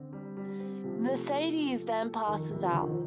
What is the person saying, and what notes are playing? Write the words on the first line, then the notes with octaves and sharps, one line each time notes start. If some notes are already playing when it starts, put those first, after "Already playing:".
Mercedes then passes out.
Already playing: D3 C4
G3
G3
C4
C3 F3
A3
A4
F3
A3
A4
F2 D#3
C3 G3
F3
F2 D3
D#3
F3